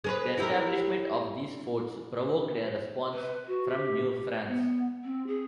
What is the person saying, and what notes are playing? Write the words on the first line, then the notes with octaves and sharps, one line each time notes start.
The establishment of these forts provoked a response from New France.
G#4 A#4 B4
E4 G4 A#4
B4
F#4
G4
B3
C4
G#4